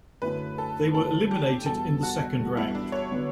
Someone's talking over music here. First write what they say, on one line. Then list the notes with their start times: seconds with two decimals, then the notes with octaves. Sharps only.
They were eliminated in the second round.
0.22 F#2 D3 A3 E4 B4
0.58 A4
0.94 F#2 D3 A3 E4 A4
1.31 G4
1.66 E2 B2 G3 A4
2.03 F#4
2.39 E2 B2 G3
2.57 E4
2.75 D4
2.92 C#5
3.11 D3 F#3 B3 D4